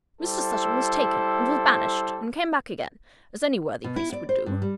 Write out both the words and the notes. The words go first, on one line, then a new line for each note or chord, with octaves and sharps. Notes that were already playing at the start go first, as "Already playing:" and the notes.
Mr. Sutton was taken, and was banished, and came back again, as any worthy priest would do.
G3 E4 A4 C5
B2
E4
D5
C5
G2
G3